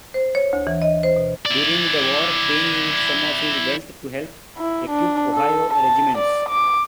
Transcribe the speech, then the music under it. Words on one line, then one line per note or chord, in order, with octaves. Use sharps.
During the war, Payne used some of his wealth to help equip Ohio regiments.
C5
C#5
D2
E3
D#5
C5
B2
E4 D5
E4
D4
A4
A5
D5
D6